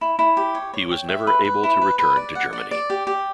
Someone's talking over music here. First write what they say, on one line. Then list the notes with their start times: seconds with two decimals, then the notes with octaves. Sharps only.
He was never able to return to Germany.
0.01 E4
0.19 E4
0.37 G4
0.55 C#5
0.74 C#5
0.91 G5
1.09 E5
1.27 B4
1.45 B4
1.64 E4
1.81 B4
1.99 B4
2.17 D5
2.35 F#5
2.53 D5
2.71 D5
2.90 G4
3.07 G4